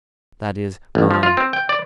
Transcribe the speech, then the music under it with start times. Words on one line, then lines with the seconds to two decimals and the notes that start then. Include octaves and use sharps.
That is, mine.
0.95 A1
1.11 F3
1.23 F4
1.37 C4
1.53 G5
1.69 D5